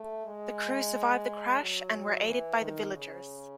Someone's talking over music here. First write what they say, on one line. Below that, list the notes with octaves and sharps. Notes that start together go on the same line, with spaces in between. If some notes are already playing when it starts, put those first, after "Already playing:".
The crew survived the crash and were aided by the villagers.
Already playing: A3
G#3
F#3
E3
D#3
C#3